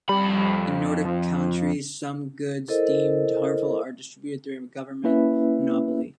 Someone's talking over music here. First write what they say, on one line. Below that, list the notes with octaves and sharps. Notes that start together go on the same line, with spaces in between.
In Nordic countries some goods deemed harmful are distributed through a government monopoly.
F2 G3 B5
F3
E4 A4 A#4 C5 D#5
A#3 C#4 E4 B4 E5